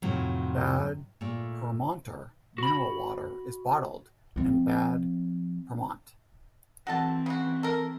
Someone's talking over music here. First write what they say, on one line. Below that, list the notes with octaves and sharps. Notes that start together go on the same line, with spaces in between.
Bad Pyrmonter mineral water is bottled in Bad Pyrmont.
F2 A2 C3 D#3 F#3
A#2 A3
F#4 B5
F3 C4
E3 C4 F#4 A4 A5
C#3 F#4
A4 A#4